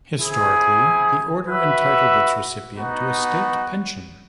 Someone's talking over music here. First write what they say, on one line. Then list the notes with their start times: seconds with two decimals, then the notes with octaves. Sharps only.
Historically the order entitled its recipient to a state pension.
0.20 C4 E4 G#4
1.46 F#4 B4 E5
2.72 B3 D#4 F#4